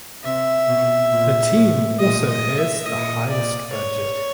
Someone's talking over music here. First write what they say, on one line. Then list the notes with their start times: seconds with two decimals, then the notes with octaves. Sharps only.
The team also has the highest budget.
0.24 C3 E5
0.67 B2
1.11 A#2
1.54 A2
1.98 A#2 D#5
2.28 D#5
2.57 E5
2.85 A#2 D#5
3.30 D5
3.72 C#5